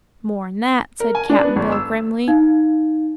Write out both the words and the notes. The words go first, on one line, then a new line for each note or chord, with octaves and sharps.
"More'n that," said Cap'n Bill, grimly.
A#4
G#5
D4
B3
G1
E6
D#4 F5